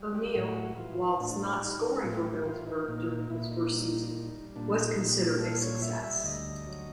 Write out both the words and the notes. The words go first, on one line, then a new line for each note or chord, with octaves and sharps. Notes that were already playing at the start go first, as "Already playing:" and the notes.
O'Neil, whilst not scoring for Middlesbrough during his first season, was considered a success.
Already playing: G3
G4
A2 F#4
E3 F4
A2 D4
G3 D#4
A2 F4
G4
E3 F4
D#4
A#2 D#4
D#4
A#2 E4
D#4
G3
G3
A#2 D4
D#4
A#2
G4
G3 A4
C#5
G3 E5
E5
D2 D#5
F#3